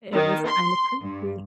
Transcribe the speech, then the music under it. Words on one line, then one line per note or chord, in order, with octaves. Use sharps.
it was kinda creepy.
D#3
C6
G2